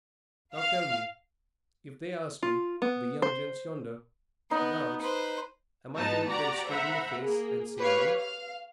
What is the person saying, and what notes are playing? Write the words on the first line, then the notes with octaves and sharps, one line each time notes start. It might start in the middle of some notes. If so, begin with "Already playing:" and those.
"Now tell me, if they ask me, the young gents yonder, to dance, am I to look them straight in the face and say no?"
F5
F4
B3
C5
B3 D#4
B4 C5
G#2 B3 D#4 A5
F#4 G4 D5 A#5
C5 E5 F#5 A#5 B5
A#3 G#4
G4 B4 C#5 F5
F5